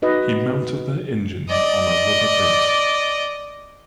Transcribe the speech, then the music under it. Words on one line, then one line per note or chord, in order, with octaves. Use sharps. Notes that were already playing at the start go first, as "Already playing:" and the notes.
He mounted their engines on a rubber base.
D#4 F#4 B4 D#5
D5 D#5